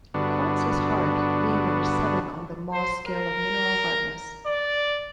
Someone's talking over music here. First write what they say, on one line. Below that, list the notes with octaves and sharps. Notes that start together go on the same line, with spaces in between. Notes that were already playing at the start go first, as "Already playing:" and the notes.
Quartz is hard, being number seven on the Mohs scale of mineral hardness.
G2 D3 B3 D4 F#4
C5
A#4
D5